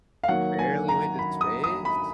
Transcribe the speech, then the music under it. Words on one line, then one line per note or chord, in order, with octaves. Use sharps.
barely went to space?
F5
D#3 F#3 A#3 F#5
G#5
A#5
B5
D#6
D#6
B5